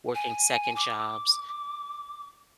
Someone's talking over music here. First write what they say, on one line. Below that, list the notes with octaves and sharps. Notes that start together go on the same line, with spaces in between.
working second jobs,
G#5
D6